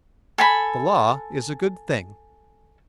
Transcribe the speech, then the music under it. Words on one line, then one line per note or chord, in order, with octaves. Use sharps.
The Law is a good thing.
A4 G#5 B5